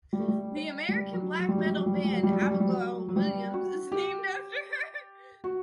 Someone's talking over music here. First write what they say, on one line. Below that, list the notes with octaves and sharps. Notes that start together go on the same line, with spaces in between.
The American black metal band Abigail Williams is named after her.
G3
A3
G3
G3
F#3
F#3
G3
F#3
G3
F#3
G3
F#3
G3
F#3
G3
F#3
G3
F#3
G3
F#3
F#3
G3
F#4
G4
F#4